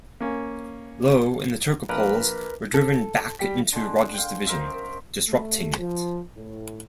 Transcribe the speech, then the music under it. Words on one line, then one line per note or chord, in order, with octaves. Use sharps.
Lo and the Turcopoles were driven back into Roger's division, disrupting it.
A#3 C#4
A#1 A#4 B4
A4
G3 G5 B6
D3 G#3
F5 G5
A#4 C5 D#5 E5
F#2
A3
F3
A2